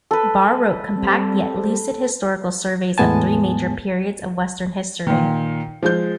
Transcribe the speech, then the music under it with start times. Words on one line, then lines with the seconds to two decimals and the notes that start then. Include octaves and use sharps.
Barr wrote compact yet lucid historical surveys of three major periods of western history.
0.11 A4 B4
0.96 G3 C4
2.98 E2 A2 G#3 B3 G#5 A5
5.07 A#2 D#3
5.83 F3 G#3 G6